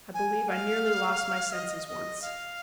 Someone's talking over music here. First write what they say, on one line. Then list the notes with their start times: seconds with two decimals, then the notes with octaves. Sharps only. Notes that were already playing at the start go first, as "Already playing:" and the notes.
I believe I nearly lost my senses once.
0.14 G#5
0.49 F5
1.53 D#5
1.88 D#5
2.22 F5